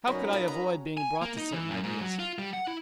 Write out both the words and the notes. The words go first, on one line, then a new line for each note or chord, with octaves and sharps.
How could I avoid being brought to certain ideas?
F#2 C#4 D#4 F#4 A#4 B4
F4
A#5
G#5
A#3
D#4
E3
F#2
G#2
F#3
F4
G3
F#5
E4